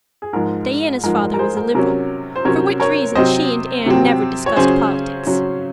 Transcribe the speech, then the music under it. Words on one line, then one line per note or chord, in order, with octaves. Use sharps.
Diana's father was a Liberal, for which reason she and Anne never discussed politics.
G#4
G#2 F3 G#3 A#4
G#2 F3 G#3 A#4
A#4
A#4
G#4 C5
A#4
C3 F#3 C#4 A#4
C5
C3 F#3 C#4 A#4 C#5
A#4 C#5
C3 F#3 C4 C5 D#5
C3 F#3 C4
C#5
C#3 F#3 C#4 G#4 C5
C#3 F#3 C#4